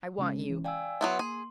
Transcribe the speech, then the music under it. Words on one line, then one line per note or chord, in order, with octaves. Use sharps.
I want you.
C#3 G#3 C#4
E3 C#4
D5 F5 G5 G#5 E6
F#3 B3 E4 C6
A#3 G#4